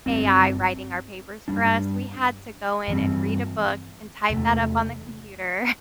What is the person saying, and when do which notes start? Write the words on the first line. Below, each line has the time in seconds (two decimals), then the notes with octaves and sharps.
AI writing our papers for us. We had to go in and read a book and type that up on the computer.
0.06 G1 G2 G3 C4
1.48 G2 G3 D4
2.88 G2 E3 G3 C4
4.30 E2 C3 A3